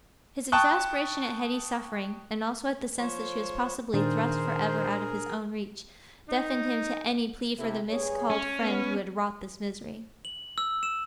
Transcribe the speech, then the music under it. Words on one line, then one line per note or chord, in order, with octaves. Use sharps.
His exasperation at Hetty's suffering--and also at the sense that she was possibly thrust for ever out of his own reach--deafened him to any plea for the miscalled friend who had wrought this misery.
G5 A5 C#6 D#6 F#6
F3 C5 C#5
A#2 D#3 D4 G#4 A#4 C5
D#4
C3 E4 A4
G2 G#4 C#5
C#4
B3
F#7
E6
E7